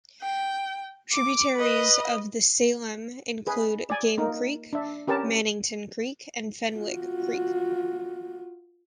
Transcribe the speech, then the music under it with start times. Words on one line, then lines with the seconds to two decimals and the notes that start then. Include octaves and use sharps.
Tributaries of the Salem include Game Creek, Mannington Creek, and Fenwick Creek.
0.22 G5
1.13 D6
1.56 B4 D#5
3.47 G#4 B4
3.90 D5 G#5
4.18 A#3 D#4 A#4
4.73 D4 E5
5.07 C#4 G4 A#4 B4 A5
6.77 F4 F#4